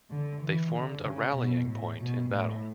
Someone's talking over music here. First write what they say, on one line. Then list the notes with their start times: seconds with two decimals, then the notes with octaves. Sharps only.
They formed a rallying point in battle.
0.11 D3
0.42 E3
0.74 D3
1.05 C#3
1.36 B2
1.67 A2
1.99 B2
2.30 A2